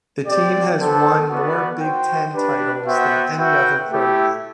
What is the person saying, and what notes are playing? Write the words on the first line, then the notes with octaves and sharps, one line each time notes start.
The team has won more Big Ten titles than any other program.
C4 G4 D5 G5
B3 D4 A4 C5
B3 F#4 B4 D5
F#4 C5 G5
D4 G4 B4
B3 F#4 C5 E5 G5
F#4 B4 E5 G5
A3 E4 G4